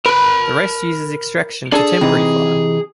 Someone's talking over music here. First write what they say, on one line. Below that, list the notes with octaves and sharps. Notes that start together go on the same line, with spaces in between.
The rest uses extraction to temporary file.
A#4 B4 B5
D4 G#4 A4
C3 E3 D#4